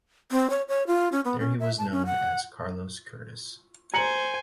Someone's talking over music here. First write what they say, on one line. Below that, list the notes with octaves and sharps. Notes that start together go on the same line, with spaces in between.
There he was known as Carlos Curtiss.
C4
C#5
C#5
F4
C#4
B3
C#4
E5
A5
C#4
F#5
C5 G#5 A#5 C#7 F#7